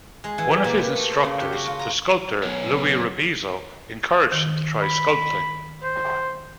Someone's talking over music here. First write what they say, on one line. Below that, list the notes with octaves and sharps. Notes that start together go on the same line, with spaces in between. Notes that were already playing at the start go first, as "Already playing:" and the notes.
One of his instructors, the sculptor Louis Rebisso, encouraged him to try sculpting.
G#3
E3
G4
A#2
B4
A3
C5
C#3
G4
F#4
F4
A#5
F#3 B3 C#4 B4 C#5
D#3
B5
C5